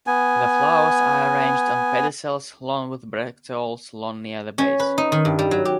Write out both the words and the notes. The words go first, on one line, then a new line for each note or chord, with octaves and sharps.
The flowers are arranged on pedicels long with bracteoles long near the base.
B3 G#5
C#4
B4
D#4
D#3
G2
G3
F#3
G4